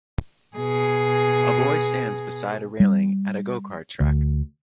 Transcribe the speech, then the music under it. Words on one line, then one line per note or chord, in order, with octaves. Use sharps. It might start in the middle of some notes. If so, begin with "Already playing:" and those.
A boy stands beside a railing at a go kart track.
B2 G#4
G3
D2